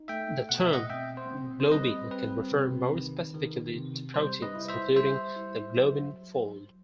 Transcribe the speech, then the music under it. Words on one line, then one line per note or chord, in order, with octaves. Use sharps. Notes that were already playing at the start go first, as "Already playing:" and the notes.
The term globin can refer more specifically to proteins including the globin fold.
Already playing: D#4
A3 E5 G5
B2 F#5
E5
D#5 F#5
C4 E5 G5
C5
C4
C5
G3 B4 D#5
C4 B4
C3
D#3
D#3
C3
G3 C5
B4 D#5
E4
C5 E5
G3 C5 E5
E4
F#3